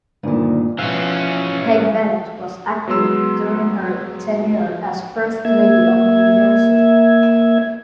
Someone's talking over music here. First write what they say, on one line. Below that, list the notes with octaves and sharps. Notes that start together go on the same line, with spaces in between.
Peg Bennett was active during her tenure as First Lady of New Jersey.
D2 G2 A#2 D#3
B2 E3 F3 C#4 F5
F#3 G#3 B3 C6 E6
A#3 E5 G#6